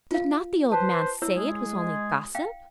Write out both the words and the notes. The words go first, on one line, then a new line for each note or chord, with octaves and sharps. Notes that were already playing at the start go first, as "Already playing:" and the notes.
Did not the old man say it was only gossip?
F4 F5
B4 C5 A5
E4 C#5 E6
G#3 G#4
F5 G5